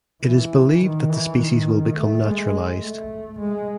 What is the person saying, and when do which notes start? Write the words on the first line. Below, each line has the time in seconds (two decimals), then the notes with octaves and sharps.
It is believed that the species will become naturalized.
0.23 E3
0.81 D#3
1.09 E3
1.38 D#3
1.96 A3
2.25 G#3
2.82 A3
3.40 G#3